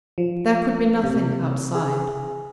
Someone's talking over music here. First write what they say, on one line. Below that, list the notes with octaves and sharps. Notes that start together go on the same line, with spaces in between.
There could be nothing outside.
F3
C3
G#4